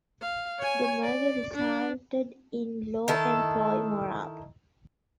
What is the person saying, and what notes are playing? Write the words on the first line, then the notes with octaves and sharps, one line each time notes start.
The merger resulted in low employee morale.
F5
C#5 G#5
D5
D4
D#3 E4 A4